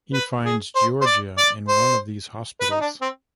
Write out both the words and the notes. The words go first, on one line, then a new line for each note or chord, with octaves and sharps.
He finds Giorgia in one of these hospitals.
B4
G#4
C5
C5
D5
D5
C5
B4
D#4
D4
C4